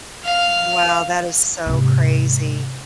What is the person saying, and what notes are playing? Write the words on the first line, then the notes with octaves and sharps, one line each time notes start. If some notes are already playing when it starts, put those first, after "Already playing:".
Wow. That is so crazy.
F5
G#2 C3